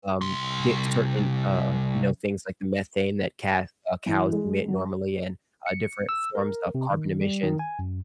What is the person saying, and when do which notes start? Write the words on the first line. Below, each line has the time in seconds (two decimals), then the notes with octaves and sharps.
um, get certain, uh, you know, things like the methane that ca uh, cows emit normally and, uh, different forms of carbon emission
0.21 C2 C6
4.06 E3
4.32 G#3
4.68 F#3
5.66 C#7
6.09 E6
6.35 A#4
6.75 C3
6.90 D#3
7.21 G3
7.43 D#3
7.59 G#5
7.79 F#2